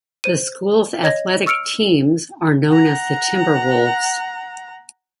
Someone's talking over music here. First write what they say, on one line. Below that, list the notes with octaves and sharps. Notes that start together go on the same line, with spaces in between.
The school's athletic teams are known as the Timberwolves.
C5 D#7
C#5 D#5 G#6 A#6
C#6 E6 F6 C#7 D7 F7
F#5 A#5